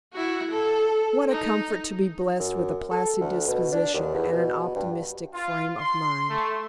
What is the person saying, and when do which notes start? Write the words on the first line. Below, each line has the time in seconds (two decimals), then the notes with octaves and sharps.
What a comfort to be blessed with a placid disposition and an optimistic frame of mind!
0.13 E4 F#4
0.50 A4
1.30 D#4
2.39 F#2
2.91 A4
3.21 D2
3.47 B2
3.72 D4
3.94 D#2
4.14 E2
4.32 B2
4.75 G2
5.34 F4
5.78 C6
6.29 A3